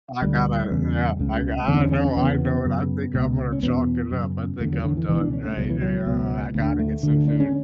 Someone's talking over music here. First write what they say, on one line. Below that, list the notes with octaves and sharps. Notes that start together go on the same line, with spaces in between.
I gotta yeah. I I know, I know it, I think I'm gonna chalk it up. I think I'm done, right? Ah, I gotta get some food.
D2 D3 G3
E2 C#3
C#2 C#3
E2 D3 C#4
D4
C#4
C#4
C#4
E2 C#3 B3
F#2 C#3
C#2 B2
C#4
E2 B2 B3
F#2 C#3
E2 D3 A3
F#3
D3
E3
C#2 B2 E3
D4
C#4
A3
C#2 B2 F#3
E3
F#3
C#2 B2
D2 D3
A3
D2 D3
D4
C#4